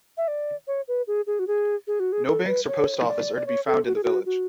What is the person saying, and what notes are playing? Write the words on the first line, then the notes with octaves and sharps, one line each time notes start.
No banks or post office are to be found in the village.
E5
D5
C#5
B4
G#4
G#4
F#4
G#4
G#4
F#4
G#4
A4
B4
C#5
D5
D5
C#5
A4
F#4
G#4
F#4
F#4